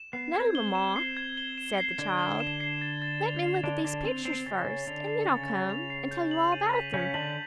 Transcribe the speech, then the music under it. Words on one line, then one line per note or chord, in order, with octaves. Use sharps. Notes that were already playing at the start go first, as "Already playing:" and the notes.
'No, mamma,' said the child; 'let me look at these pictures first; and then I'll come, and tell you all about them.'
Already playing: E7
B3 C7
C4 G#6
G7
E7
C7
G#6
G7
E7
C7
D3 D4 G#6
G7
E7
C7
A6
A6
F7
C7
D3 D4 A6
D3 D4 A6
C4 F7
C4 C7
C#3 C#4 A6
A6
D3 D4 F7
C7
C#3 C#4 A6
A6
F7
C7
G6
F#7
D#7
B6
C#3 C#4 G6
D3 D4 F#7